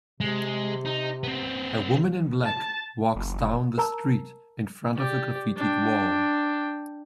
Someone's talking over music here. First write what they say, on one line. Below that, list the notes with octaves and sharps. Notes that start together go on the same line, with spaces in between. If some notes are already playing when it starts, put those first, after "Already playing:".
A woman in black walks down the street in front of a graffited wall.
C3 G#3
D#4
B3 C4
A5
F#1
A#4 A5 A#5 E6
G4 D5
D4 G5